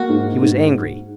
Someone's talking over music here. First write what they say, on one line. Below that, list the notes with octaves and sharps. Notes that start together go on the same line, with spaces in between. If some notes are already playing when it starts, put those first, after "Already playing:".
He was angry.
Already playing: A#3 F#4
G#2
G#2